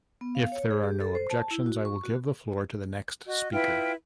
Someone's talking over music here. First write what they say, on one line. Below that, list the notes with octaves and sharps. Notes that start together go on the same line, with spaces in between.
If there are no objections, I will give the floor to the next speaker.
B3
F5
C#5
G#4
G4
A4
C5
A5
E4
F#4
C#6
F#4
F#4 D#5
E4 F4 B4 G5